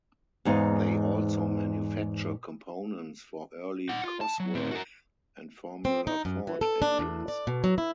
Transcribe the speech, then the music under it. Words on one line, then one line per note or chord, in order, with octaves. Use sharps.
They also manufacture components for early Cosworth and Formula ford engines.
E2 G#2 D#4 F5
D#4 F#5
F4
A5
F#3
A2 C4
F#4 A#4
C4
D#4
F#2
E3
A4
D4
E2
D5
B2
F#3
E4